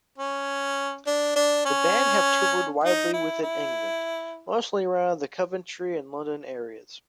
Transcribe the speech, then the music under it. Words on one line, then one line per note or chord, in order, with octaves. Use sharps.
The band have toured widely within England, mostly around the Coventry and London areas.
C#4
D4
D4
C#4
D#4
E4
E4